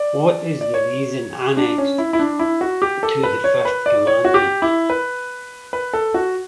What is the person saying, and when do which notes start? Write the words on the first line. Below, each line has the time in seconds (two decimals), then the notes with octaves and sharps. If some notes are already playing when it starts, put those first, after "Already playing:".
What is the reason annexed to the fifth commandment?
Already playing: D5
0.61 D5
0.74 C#5
1.57 D4
1.78 C#4
1.98 E4
2.13 E4
2.19 D4
2.39 E4
2.61 F#4
2.82 G4
3.03 A4
3.23 B4
3.44 C#5
3.65 B4
3.86 D5
4.07 C#5
4.25 F#4
4.34 G4
4.62 E4
4.90 B4
5.73 B4
5.93 A4
6.14 F#4